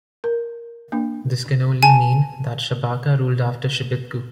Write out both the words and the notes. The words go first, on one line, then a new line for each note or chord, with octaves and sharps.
This can only mean that Shabaka ruled after Shebitku.
A#4
A#3 D4
G#5 A5